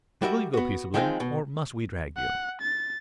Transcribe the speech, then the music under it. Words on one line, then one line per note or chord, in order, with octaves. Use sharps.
"Will you go peaceably or must we drag you?"
G3 F#4 A#4 E5
B3 F#4
D#3 F3 G#3 C4 C#4 D#4
B2
F#5
A6